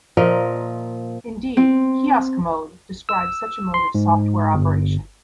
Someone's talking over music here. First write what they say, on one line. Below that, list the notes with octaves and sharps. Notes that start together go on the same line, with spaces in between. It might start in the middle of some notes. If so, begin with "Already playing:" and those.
Indeed, "kiosk mode" describes such a mode of software operation.
A#2 F3 A#4 D#5
C4
E6
C6
G#2
G1